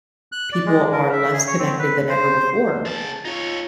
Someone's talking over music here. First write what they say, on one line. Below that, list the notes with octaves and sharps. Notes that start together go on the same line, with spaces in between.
people are less connected than ever before.
F#6
D5
G#3
A#4
E5
G#4
C#5
C4
B4
C5
C#3 A5
D#4 F4 C#5